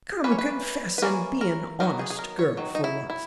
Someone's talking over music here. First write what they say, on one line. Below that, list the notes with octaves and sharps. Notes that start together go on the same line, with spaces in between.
Come, confess, and be an honest girl for once.
E3 A#3 C#4 B4
C#5
B4
B4
E3 A#3 C#4 A#4
A#4
D#3 F#3 B3 D#4 A#4
G#4
G#4
A#4
C#5
D#3 F#3
D#4
E4
E4